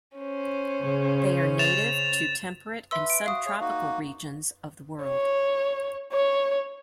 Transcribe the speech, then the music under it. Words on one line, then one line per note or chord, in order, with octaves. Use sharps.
They are native to temperate and subtropical regions of the world.
C#4 C5
C#3
A6 E7 F7
B4 E5 C6 E6
D7
F#4 F5 D#6
G#4 C#5
A#3 D#4 F#4
C#5
C#5